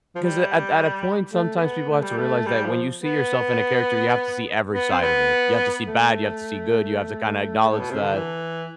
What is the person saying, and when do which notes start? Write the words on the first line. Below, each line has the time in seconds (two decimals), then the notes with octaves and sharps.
'cause at at a point, sometimes people have to realize that when you see yourself in a character, you have to see every side of it. You have to see bad; you have to see good; you have to kinda acknowledge that
0.15 F3
0.18 G3
1.31 A3
1.56 A3
1.60 B3
1.89 A3
2.02 G3
2.17 A3
2.46 G3
2.65 F3
3.02 B3
4.72 B3
4.91 C4
5.02 B3
5.86 A3
7.68 A2
7.79 B2
7.90 C3
8.02 D3
8.14 E3